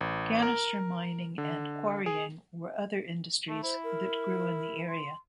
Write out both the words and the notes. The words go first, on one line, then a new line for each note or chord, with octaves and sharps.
Ganister mining and quarrying were other industries that grew in the area.
A1
A#4
D3
G#4
A3
E4 C5
A#4
C6